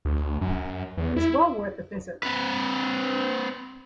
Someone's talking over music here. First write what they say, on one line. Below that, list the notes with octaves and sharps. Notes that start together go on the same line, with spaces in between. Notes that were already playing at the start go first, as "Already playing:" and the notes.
It is well worth a visit.
D2
F#2
E2
E4
C4 B4